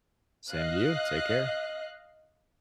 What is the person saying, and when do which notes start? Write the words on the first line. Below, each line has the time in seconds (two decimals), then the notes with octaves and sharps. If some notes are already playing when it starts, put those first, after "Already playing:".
Same to you, take care.
0.50 D#5 F5 F#6